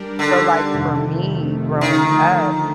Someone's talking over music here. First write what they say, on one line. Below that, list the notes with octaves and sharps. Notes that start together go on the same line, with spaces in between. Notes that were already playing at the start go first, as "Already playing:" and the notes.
So, like, for me growing up
Already playing: G3 D4 G4 A#4 D5
D3
F2 C3 D#3 A3
D3 D#3 F3 A3